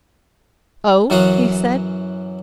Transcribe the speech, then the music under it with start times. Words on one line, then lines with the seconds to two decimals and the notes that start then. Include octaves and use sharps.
"Oh!" he said.
1.10 F#2 E3 F#3 F#4 F5 D#6